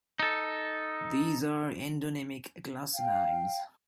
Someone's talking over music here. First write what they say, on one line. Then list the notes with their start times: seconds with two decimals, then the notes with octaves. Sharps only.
These are endonymic glossonyms.
0.20 D#4 A4
2.93 F5 G5